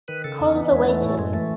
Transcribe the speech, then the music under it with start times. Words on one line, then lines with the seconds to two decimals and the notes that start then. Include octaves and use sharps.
Call the waiters!
0.08 D#3 B4
0.24 C#3 A4
0.40 E2
0.46 C#4
0.55 E3 B3
0.71 E2 G#3
0.86 E3 A3
1.02 A2
1.18 F#2 G#3
1.33 E3 A3